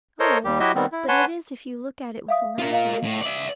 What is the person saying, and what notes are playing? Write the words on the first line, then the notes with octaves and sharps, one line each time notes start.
Oh, but it is if you look at it with a lantern.
A4 A#4 C5 C#5 D#5
D#2 G3 G4
F#3 E4 F#4 G4 D#5 E5
D#3 G3 B3 C4
E4
B4 C#5 F#5 G#5 A5 C6
E5 F5 D#6
F4 A#4
D#5 F5 A#5
A2
D5 E5